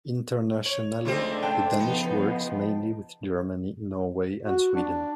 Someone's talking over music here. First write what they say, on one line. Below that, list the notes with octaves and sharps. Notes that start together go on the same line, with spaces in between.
Internationally the Danish works mainly with Germany, Norway and Sweden.
C#5
C#2 D#3 A3 C4 D4 F4 A4 C5
F#5 G5 A5 C6
F2 F3 B3 D#4
F#4
D4